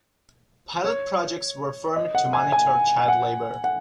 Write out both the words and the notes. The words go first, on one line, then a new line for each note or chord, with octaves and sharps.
Pilot projects were formed to monitor child labor.
C#5
D#5
F#5
G#5
G#5
F#5
F#5